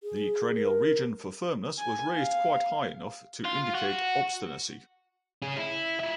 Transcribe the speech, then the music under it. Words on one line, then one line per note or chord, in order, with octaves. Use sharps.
The cranial region for firmness was raised quite high enough to indicate obstinacy.
G#4
A#4
G#5
F5
F4
F#4
C#4 G#4
E4
F4 E5